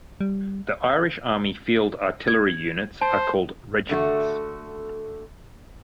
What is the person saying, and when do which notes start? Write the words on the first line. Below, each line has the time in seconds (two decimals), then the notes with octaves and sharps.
The Irish Army field artillery units are called regiments.
0.21 G3
2.28 G#6
3.01 C5 A5
3.89 D3 A3 F#4